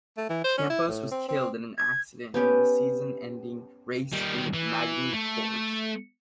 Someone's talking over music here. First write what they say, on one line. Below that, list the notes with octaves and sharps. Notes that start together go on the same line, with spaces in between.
Campos was killed in an accident at the season-ending race in Magny Cours.
A3
E3
C5
C#4
E4
A2
C4
C4
G#6
B3 C#4 G4
D#3 G3
E3
A3